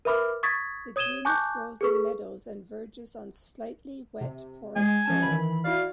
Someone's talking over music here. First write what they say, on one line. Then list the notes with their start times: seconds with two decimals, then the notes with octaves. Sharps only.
The genus grows in meadows and verges on slightly wet porous soils.
0.05 A#4 B4 E5 B5 D6 F6
0.43 C#6 D#6 G#6 A6 B6
0.96 C#5 D#6 G#6 D#7 E7 G7
1.25 G#5 A5 C#6 D6 F#6 G6
1.81 G#4 A4 B4 C#6
4.21 C3
4.76 G#3 G#5
5.05 F3 C#4 A5
5.22 D#3 E3 B5
5.64 E4 F#4 D5 F5